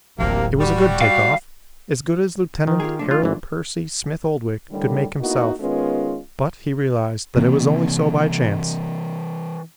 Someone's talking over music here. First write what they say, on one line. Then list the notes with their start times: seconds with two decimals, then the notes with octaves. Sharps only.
It was a good take-off--as good as Lieutenant Harold Percy Smith-Oldwick could make himself but he realized that it was only so by chance.
0.18 D1 A1 C3 A#3 D4
0.58 G3 F#4
1.02 F5
2.67 D#3
2.80 F4 G4 G#4
2.99 F3 A3 D4
3.11 F4
3.23 G#1 E3
4.70 A2 D3 D#3 G3
5.20 A#3 B3 D#4 E4 F#4
5.60 D#3 G#3 B3 C#4 F4
7.37 C3 E3 A#3 C4